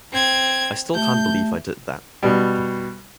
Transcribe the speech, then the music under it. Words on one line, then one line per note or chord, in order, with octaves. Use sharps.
I still can't believe I did that.
C4 G#6
A3 G4 E5 G6
B2 G3